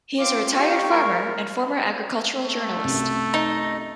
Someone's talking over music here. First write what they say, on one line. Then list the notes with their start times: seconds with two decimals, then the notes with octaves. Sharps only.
He is a retired farmer and former agricultural journalist.
0.19 C4 F4 F5 D6
0.55 D#4 G4 C#6
0.92 G#3 A#4
2.45 A3
2.84 C2 F#2
3.34 D#4